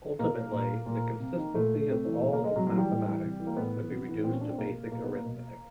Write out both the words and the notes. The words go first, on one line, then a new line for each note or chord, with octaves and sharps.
Ultimately, the consistency of all of mathematics could be reduced to basic arithmetic.
B2 A#3
A#2
A#2
C3
D#3
A#2 A3
C3
E3
B2
A#3
G#3
C3 F#3
F#3
E3
G3
A2
E3
C3
E3
A#3
A2 B3
E3
C3
E3
A#2 C4
C#4
D4
C4
B2 A#3
B2 A#3
B3
A#3
B2